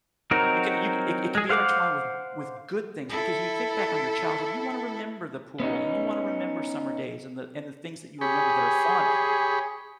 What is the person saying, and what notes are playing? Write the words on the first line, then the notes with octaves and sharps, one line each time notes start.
you can you ca it it be intertwined with with good things, because you think back on your childhood, you wanna remember the pool, and you wanna remember summer days, and the and the things that you remember that are fun,
F#3 C4 D#4 F#4 A#4
G#3 G#4
C5 F5 F#5 D6
E4 A4
B3 C#4 D#4
G4 G#4 C#5 B5